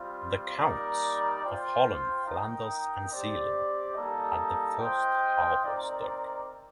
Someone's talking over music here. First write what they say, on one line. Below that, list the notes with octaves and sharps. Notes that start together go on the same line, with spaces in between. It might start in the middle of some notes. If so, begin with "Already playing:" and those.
The Counts of Holland, Flanders, and Zeeland had the first harbours dug.
Already playing: G3 C4 F4
G3 A#3 D#4 A#4 D5
F4 C5 G5
D#4 A#4 D#5 G5
C4 G4 D5
G3 A#3 D#4 A4 D#5
F4 C5 D#5 G5
C4 D#4 A#4 D5